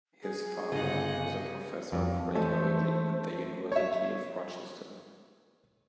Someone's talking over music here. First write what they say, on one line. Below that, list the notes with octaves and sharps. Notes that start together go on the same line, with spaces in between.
His father was a Professor of Radiology at the University of Rochester.
G#4
G1 C#3 D#5 F#5
F2
E3 A3 A4 C5 C#5
C#5 E5